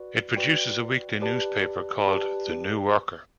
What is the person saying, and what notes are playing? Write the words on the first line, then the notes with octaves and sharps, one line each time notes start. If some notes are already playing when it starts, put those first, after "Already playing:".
It produces a weekly newspaper called "The New Worker".
Already playing: F#4 B4 D5
F#4 B4 D5 G5
G4 B4 D5 A5
G4 B4 D5 A5